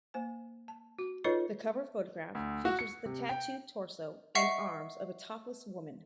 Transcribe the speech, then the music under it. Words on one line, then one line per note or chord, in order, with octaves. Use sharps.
The cover photograph features the tattooed torso and arms of a topless woman.
A#3 C5 G#5
A5
F#4
D#4 F4 A4 B4 C#5 D#5
D2
F#4
C#7
C3
G5
D#5 E5 F#5 C#6 C7